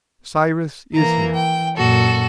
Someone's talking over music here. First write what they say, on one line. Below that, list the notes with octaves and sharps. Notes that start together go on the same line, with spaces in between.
"Cyrus is here!"
E3 A#3 A#5
G5
F#2 A#2 F#4 A4